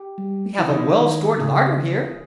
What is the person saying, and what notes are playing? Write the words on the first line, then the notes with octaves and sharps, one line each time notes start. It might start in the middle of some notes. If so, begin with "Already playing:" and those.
We have a well-stored larder here.
Already playing: G4
G3
E3 E4
D#4
E4
D#3
C#3 G#4